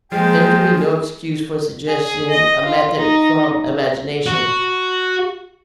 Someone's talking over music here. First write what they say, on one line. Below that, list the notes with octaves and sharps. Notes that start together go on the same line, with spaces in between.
There can be no excuse for suggesting a method from imagination.
F3 G#3 A#3 G#4 G5
G#4
D#5
F4
D#4
F#4